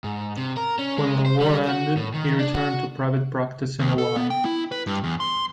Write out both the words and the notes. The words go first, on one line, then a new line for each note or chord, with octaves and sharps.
When the war ended he returned to private practice in Hawaii.
G#2
C3
A#4
C#4
G#3
C5
G3
F#4
A2
D#3
D4
F#4
D#2
A4
B3
G5
E4
B4
G2
E2
C6